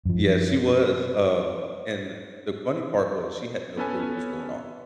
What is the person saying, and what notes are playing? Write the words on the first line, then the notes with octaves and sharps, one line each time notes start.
Yeah, she was, um and the funny part was she had no clue what was going on.
F#2 F3
B3 C#4 A4 B4 G#5